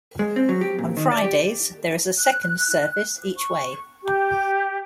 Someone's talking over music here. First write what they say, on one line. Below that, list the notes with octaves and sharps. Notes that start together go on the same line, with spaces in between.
On Fridays there is a second service each way.
G#3
C4
F#3
G4
A#2
D#3
D5
G4
F#6
C#6
G4